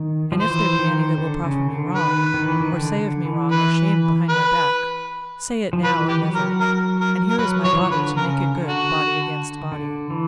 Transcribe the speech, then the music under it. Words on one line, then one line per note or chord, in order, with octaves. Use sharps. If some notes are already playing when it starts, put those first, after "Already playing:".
And if there be any that will proffer me wrong, or say of me wrong or shame behind my back, say it now or never, and here is my body to make it good, body against body.
Already playing: D#3
F3
E3 C5
D#3
D3
C#3
D3
D#3 B4
D#3
E3
D#3
D3
D3
E3
B4
B4
F3
E3 B4
G4
F#3
A#4
A#4
A#4
A#4
F#3 B4
F3 C#5
E3
F3
D3 B4
C#3 A#4
D3
F#4
D3
E3